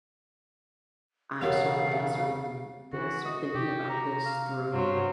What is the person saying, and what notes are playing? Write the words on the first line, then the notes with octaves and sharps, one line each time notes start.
I'm sort of answering this or thinking about this through,
E1 C#3 F#4 G4 A#4 C#5 F5
E5
D3 E3 F#4
F#4 D#5
C3 G4
A#5
F5
G2 F#3 C5